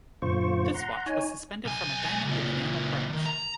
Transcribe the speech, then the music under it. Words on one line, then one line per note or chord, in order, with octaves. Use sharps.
This watch was suspended from a diamond and enamel brooch.
F#2 A#2 D3 F4 C5 C#6
F#5 A#5 C6
D#4 C#5 G#5
B1 G#5
C#2 A#2
D3 D#3
A#5